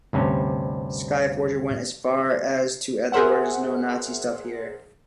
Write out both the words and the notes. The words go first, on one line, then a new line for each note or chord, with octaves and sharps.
Skyforger went as far as to add the words 'No Nazi Stuff Here!
D2 G2 C3 C#4
G#4 A#4 C5 E5 F#5